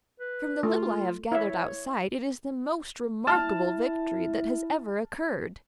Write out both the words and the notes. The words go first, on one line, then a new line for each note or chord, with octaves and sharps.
From the little I have gathered outside, it is the most remarkable victory that has ever occurred.
B4
A3 F4
E4 C#5 E5
E4 A5 F6